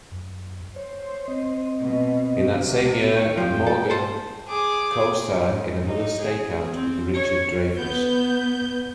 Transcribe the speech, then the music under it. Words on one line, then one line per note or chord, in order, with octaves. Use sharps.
In that same year, Maughan co starred in "Another Stakeout" with Richard Dreyfuss.
F#2
C5 C#5
C4 D#5
B2
C#2 C3
D#4 C#6
F2 F3 F4 G4 G5
A4
A4 C5 A5
G#4 D6
G#2
D#4
G#4
C4
C#5
B3 G6